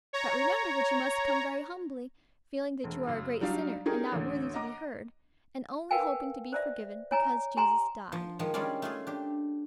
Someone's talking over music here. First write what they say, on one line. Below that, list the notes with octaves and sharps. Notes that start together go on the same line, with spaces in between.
But remember that you must come very humbly; feeling that you are a great sinner, and not worthy to be heard, and only hoping to be forgiven, because Jesus died.
C#5 A#5
E1
F#2 C#3
F#3 G3 D4 D#4 D5 F5
C#4 D#4 G4 G#4 A#4
A1 D2
D#5 F#5 A#5 D6
A#4 B4 F5 G5 G#5
C5 D5 E5
C#5 G#5 A#5
G4 G#5 A#5 C6
F3
D#3 F3 G#3
G3 G#3 C#4 F4 D5
A3 F4 G#4
D4 G4